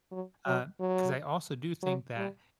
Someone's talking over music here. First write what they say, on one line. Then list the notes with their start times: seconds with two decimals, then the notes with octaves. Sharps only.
uh 'cause I also do think that
0.12 F#3
0.46 F#3
0.80 F#3
1.82 F#3
2.17 G3